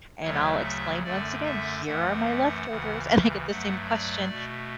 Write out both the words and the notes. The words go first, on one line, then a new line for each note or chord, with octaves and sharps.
and I'll explain once again, "Here are my leftovers," and I get the same question.
D2 C#3 F#3 A3 C#5
E5
F#2 D3 A3 D5
E5
F#2 E3 A3 F#5
D2 C#3 E3
G2 F#3 A3 F#5
D5
B2 A3